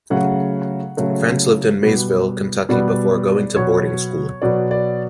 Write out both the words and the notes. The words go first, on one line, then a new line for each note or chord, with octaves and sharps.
Frantz lived in Maysville, Kentucky, before going to boarding school.
C#3 F#3 A3 F#5
C#3 F#3 A3
B2 G3 B3
B2 G3 B3 D5
B2 F#3 B3 C#5
B2 F#3 B3 D5
D5